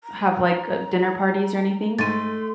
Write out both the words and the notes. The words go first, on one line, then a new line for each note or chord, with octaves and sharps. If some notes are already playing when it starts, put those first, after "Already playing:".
have, like, a dinner parties or anything?
A#5
G#2 A3 C6 A6 D#7